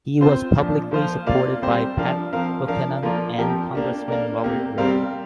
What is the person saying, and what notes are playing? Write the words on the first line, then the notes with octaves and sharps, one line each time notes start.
He was publicly supported by Pat Buchanan and Congressman Robert Roe.
C4 F4 C5
A#2 F3 D4
F3 A#3 F4 C5 F5
C3 A#3 F4 D5 F5
C3 G3 C4 G4 C5
F3 D4 A#4 F5
F3 C4 A#4 F5
F3 D4 A#4 F5
F3 A#3 F4 A#4 D5
F3 C4 G4 A#4
A#3 D4 G4
A#3 D4 A#4 D5
C3 A#3 G4
C3 G3 C4 A#4 F5